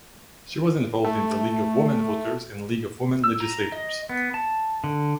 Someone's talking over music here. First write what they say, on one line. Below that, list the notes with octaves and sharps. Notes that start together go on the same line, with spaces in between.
She was involved in the League of Women Voters and League of Women Legislators.
A3
E6
A#5
D#5
B3
A5
D3